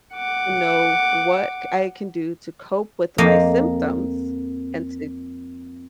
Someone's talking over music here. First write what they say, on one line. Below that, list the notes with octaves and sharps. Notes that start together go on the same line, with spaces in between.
you know, what c I can do to cope with my symptoms and to
F#5 D6
F2 A#3 D#5